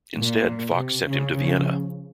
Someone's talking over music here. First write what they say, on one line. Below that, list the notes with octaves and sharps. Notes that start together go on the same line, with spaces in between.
Instead Fox sent him to Vienna.
A#2
C3
C#3
C#3 F3